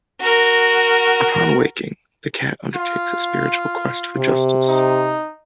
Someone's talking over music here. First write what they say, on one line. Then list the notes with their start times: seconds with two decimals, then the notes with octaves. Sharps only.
Upon waking, the cat undertakes a spiritual quest for justice.
0.21 F#4 A#4
2.75 F4
4.18 C3
4.68 D#4